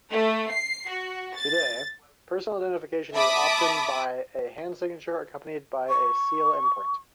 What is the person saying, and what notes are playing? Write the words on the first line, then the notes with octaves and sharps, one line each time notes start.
Today, personal identification is often by a hand signature accompanied by a seal imprint.
A3
C7
F#4
A6
E5 A5 B5 D6 D#6
C#6